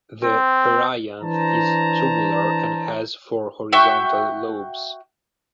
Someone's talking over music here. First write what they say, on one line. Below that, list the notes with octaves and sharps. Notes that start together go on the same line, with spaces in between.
The perianth is tubular and has four horizontal lobes.
C4
E3 D4 C5 A5 A#5
F#4 E5 G5 C#6